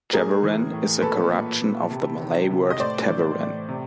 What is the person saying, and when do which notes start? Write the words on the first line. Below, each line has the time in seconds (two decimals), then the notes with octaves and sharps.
'Jawaran' is a corruption of the Malay word "tawaran".
0.13 A2 G#4 A#4
0.43 E3
0.73 A2
1.02 A#2 A4 B4
1.31 A#2
1.61 A#2
1.91 C3
2.20 D#3
2.50 C3
2.70 D#5
2.80 A2 C5 D5
3.09 E3
3.39 A2
3.68 C3